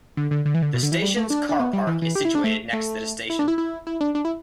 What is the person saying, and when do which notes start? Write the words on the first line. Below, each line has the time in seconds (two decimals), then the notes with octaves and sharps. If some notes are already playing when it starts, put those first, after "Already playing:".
The station's car park is situated next to the station.
0.17 D3
0.31 D3
0.45 D3
0.54 E3
0.62 D3
0.74 B2
0.83 D3
0.92 E3
1.02 G3
1.17 A3
1.30 D4
1.49 D4
1.59 B3
1.73 G3
1.87 E3
2.02 E3
2.15 G4
2.25 E4
2.35 D4
2.44 A3
2.73 A3
3.30 E4
3.39 D4
3.48 E4
3.58 E4
3.87 E4
4.01 D4
4.15 D4
4.25 E4